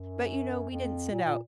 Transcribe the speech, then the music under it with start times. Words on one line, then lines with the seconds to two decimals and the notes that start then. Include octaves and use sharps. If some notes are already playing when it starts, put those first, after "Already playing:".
but, you know, we didn't send out
Already playing: F#2
0.71 F2
1.11 A#2
1.25 A#2